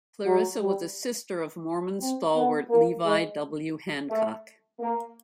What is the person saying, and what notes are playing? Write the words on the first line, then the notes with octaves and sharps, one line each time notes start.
Clarissa was a sister of Mormon stalwart Levi W. Hancock.
F#3
G3
C4
B3
A#3
G#3
A3
A#3